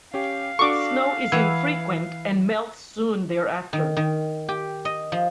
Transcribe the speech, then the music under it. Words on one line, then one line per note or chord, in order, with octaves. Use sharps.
Snow is infrequent and melts soon thereafter.
C#4 G4 F5
D4 F#4 A4 C#6 D6
E3 F#5 E6 G#6
D#3
D#3
G4
D#5
F3